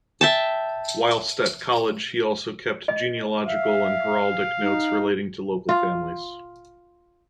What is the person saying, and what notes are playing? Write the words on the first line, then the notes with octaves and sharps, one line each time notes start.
Whilst at college, he also kept genealogical and heraldic notes relating to local families.
E5 G5 A5
D#5
E5 F5
D#4
F4 F5